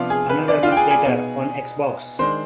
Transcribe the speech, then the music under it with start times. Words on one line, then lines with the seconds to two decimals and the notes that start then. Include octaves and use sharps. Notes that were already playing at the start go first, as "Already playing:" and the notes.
Another month later: on Xbox.
Already playing: C3 F3 B3 D4 F4 F5
0.10 G#4
0.29 B4
0.48 D4 D5
0.63 F4 F5
0.72 G5
0.77 G#4 G#5
0.90 G#4 G#5
1.05 B2 B3 D#4 G#4 G#5
2.19 D#3 G#3 D4 C5 C6